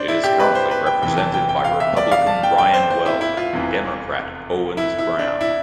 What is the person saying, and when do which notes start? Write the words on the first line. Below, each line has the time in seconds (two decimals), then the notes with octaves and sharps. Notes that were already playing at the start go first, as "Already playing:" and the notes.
It is currently represented by Republican Ryan Weld and Democrat Owens Brown.
Already playing: D4 C5
0.08 E4
0.24 G4
0.40 B4
0.55 C5
0.71 B4
0.86 G5
1.01 F1 E2 C3 E3 G5
1.17 A5
1.34 G5
1.49 G5
1.64 F5
1.80 E5
1.97 D5
2.12 F5
2.27 A5
2.43 G5
2.58 G5
2.74 C5
2.90 C5
3.06 E4
3.21 E4
3.37 F4
3.53 F1 E2 C3 E3
4.77 E4
4.98 E4
5.19 D4
5.41 E4